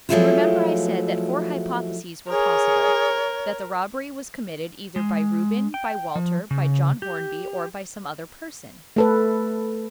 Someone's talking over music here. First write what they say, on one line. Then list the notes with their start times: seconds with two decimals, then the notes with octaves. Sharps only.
You remember I said that four hypotheses were possible: that the robbery was committed either by Reuben, by Walter, by John Hornby, or by some other person.
0.09 F3 F#3 G#3 A3 E4 F4
2.30 G#4 A#4 C#5
4.96 G#3
5.74 G5
6.15 F3
6.51 C#3
7.02 G4
8.96 A3 A4 B4